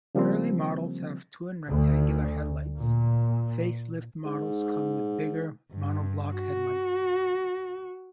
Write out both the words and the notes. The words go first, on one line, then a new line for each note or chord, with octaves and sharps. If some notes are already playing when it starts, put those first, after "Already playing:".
Early models have twin rectangular headlights, facelift models come with bigger monoblock headlights.
C#3 F3 G3 A#3 C4
D2
A#2
G#2
G2
F#4